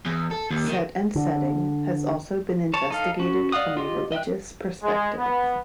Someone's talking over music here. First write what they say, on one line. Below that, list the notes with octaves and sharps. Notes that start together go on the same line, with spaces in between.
Set and setting has also been investigated from a religious perspective.
E2
A4
D#2
D#3
D3
C#5 A5
D#4 A4 F5
C#4 F#4
D5 D#5 F5 F#5 D#6
F4 G4 D#5
D#5 E5 G5 F#6
G#3
B3